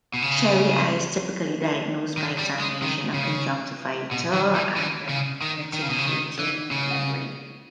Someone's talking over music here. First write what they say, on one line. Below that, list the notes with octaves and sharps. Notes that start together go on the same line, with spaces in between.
Cherry eye is typically diagnosed by examination of the conjunctiva and nictitating membrane.
B2
C#3
D#3
G3
G#3
D#3
C#3
B2
D#3
E3
E3
C#3
D#3
D#3
C#3
B2
C#3
D#3
E3
C#3